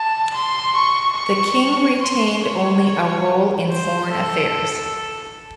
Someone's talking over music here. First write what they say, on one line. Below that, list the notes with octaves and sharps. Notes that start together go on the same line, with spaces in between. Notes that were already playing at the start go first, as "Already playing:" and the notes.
The King retained only a role in foreign affairs.
Already playing: A5
C6
C#6
C#6
C6
C#5
C#5
C5
A4